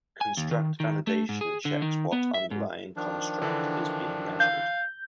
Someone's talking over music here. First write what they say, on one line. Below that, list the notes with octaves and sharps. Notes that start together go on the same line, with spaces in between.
Construct validation checks what underlying construct is being measured.
G#5
D#2
D#3
D#3
A3
G#2
G#4
D3
D#3
B3
E5
G#2
D#3 F3 D4
D3 E3
F5 G6